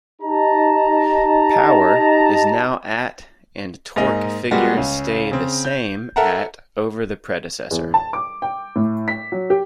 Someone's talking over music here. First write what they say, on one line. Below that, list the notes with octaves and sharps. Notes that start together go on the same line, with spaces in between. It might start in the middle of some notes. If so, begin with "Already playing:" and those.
Power is now at and torque figures stay the same at over the predecessor.
D#4 G4 A5 A#5
G#2 A#3 G#4 D#5
A#2 G3 G#3 A#3 B3 F#4
C#2 C#4
C#3 C4
G6
A4 A#4 E5 F#5 A5 A#5
E2
A5
D6
G5
A2
B6
F#3
G4